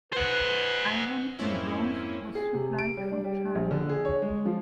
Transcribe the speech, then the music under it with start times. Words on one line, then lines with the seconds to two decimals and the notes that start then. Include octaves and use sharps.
Iron and bronze was supplied from China.
0.13 B4 C5 F#5
1.39 F2 G#2 A#3 C4 C#4 E4
2.35 G#4
2.54 C3
2.79 D7
2.97 G3
3.12 D4
3.24 G3
3.55 A#1
3.71 D3
3.89 G#4
4.05 C#5
4.22 G#3
4.45 F3